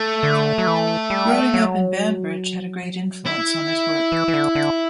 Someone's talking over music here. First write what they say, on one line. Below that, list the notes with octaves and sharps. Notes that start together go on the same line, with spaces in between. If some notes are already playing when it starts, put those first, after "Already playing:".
Growing up in Banbridge had a great influence on his work.
Already playing: A3
D3
F#3
E3
G3
F#3
E4
E3
E3
D3
D3